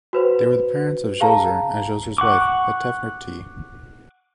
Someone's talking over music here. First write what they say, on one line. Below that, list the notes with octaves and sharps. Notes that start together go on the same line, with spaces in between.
They were the parents of Djoser and Djoser's wife Hetephernebti.
F#4 B4 C5
G#4 F5 A5 A#5
F#5 C#6 D6